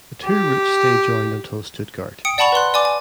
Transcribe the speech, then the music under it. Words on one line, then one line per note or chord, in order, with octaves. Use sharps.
The two routes stay joined until Stuttgart.
G4
G5 D#6 C#7 D7
D5 F#5 A5 B5 C#6 F7
B4 D5 C6 F#6
D5 G#5 D6
G#5